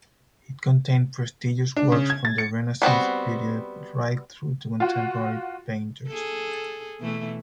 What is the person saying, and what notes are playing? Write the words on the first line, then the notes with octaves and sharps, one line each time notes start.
It contained prestigious works from the Renaissance period right through to contemporary painters.
D4
C#3
G#6
A6
C#7
G3 B3 C4 F#4
F4 F#4
G#4 A4
B2 E3 A3